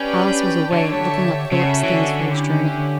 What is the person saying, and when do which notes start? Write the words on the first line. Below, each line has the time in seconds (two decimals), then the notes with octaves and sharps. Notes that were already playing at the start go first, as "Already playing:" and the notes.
Alice was away, looking up Philip's things for his journey.
Already playing: C#4 D4 G4 B4 D5 G5
0.72 D3 G4 C#5 E5 A5
1.52 C#3 C#4 F#4 A4 C#5 E5
1.83 E3
1.91 D3
2.31 C#4 E4 G4